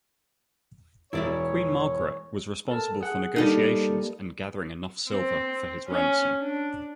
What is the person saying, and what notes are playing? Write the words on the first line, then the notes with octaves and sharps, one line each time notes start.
Queen Margaret was responsible for negotiations and gathering enough silver for his ransom.
E1 E4 C#5 D5 E5
A4 A#4 A5
G#4 F#5
G3 A#3 D#4 A4 A#4
C4
C#4
D4